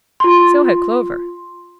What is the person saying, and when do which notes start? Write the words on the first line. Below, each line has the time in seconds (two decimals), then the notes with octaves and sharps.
So had Clover.
0.20 F4 C6